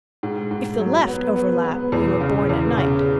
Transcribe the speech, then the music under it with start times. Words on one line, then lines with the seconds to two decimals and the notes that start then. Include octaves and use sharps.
If the left overlap, you were born at night.
0.23 G#2
0.51 G#2
0.79 F#3
1.07 B3
1.36 B3
1.64 B3
1.92 E2
2.21 C#3
2.49 E2
2.78 C#3